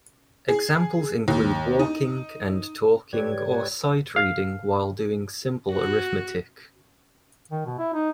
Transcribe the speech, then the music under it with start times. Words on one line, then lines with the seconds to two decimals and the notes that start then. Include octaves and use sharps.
Examples include walking and talking or sight reading while doing simple arithmetic.
0.48 G#4
1.28 D#2
1.79 D#4
3.13 G#2 G4 B4 C#5 D5 G#6
4.16 F5
5.72 F#4
7.51 D#3
7.66 B2
7.79 E4
7.94 D#4